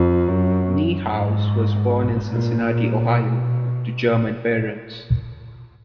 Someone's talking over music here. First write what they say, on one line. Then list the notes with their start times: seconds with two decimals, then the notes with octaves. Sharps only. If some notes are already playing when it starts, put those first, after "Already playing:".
Niehaus was born in Cincinnati, Ohio to German parents.
Already playing: F2
0.28 F#2
1.08 G#2
2.28 A#2
3.09 B2